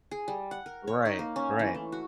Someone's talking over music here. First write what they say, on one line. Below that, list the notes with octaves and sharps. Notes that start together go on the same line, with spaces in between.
Right, right,
G#4
G3
F#5
A#4
C#5
D#4
A#3
C#4
E3
A3
F#4